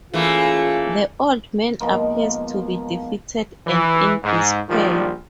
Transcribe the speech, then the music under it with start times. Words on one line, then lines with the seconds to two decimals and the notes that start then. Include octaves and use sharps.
The old man appears to be defeated and in despair.
0.14 E3 A3 A#3 C#4 F4 G#4
1.80 G#2 B2 F3 A#3
3.67 E3
4.24 G#2
4.69 A#1 A#2 D#3 F3 G3